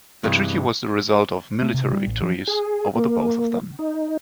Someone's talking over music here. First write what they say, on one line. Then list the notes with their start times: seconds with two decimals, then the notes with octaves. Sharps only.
The treaty was the result of military victories over the both of them.
0.24 G2 C3 E3 G#3
1.62 A3
1.74 C3
1.92 G3
2.06 A1
2.22 F3
2.47 G#4
2.95 A#3
3.79 D#4